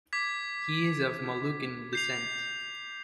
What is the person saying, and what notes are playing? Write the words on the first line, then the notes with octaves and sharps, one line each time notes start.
He is of Moluccan descent.
D6 G#6 B6
G6 C7 F7